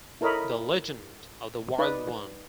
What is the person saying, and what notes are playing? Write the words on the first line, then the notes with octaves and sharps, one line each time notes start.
The Legend of The Wild One.
E4 A4 A#4 C#5 D#5 B5
D#4 B4 D5 D#5